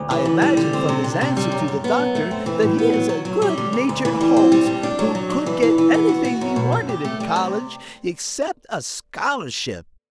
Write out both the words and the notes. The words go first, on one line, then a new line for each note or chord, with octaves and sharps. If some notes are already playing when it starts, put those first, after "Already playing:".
I imagine from his answer to the Doctor that he is a good-natured hulks who could get anything he wanted in college except a scholarship.
Already playing: D2
E3
D3
G3
D3
C4
C3
D4
C3
G3
F#2
F#2
B3
F#2
A3
C4
E3
A2
B3
F#3
F#3
F#3
G3
D3
D2
D2
E3
G3
C4
G3
D4
D4
F#3
F#3
D4
E3
E3
E3
B3
F#4
F#4
F#2
B2
A3
G4
A3
G3
C3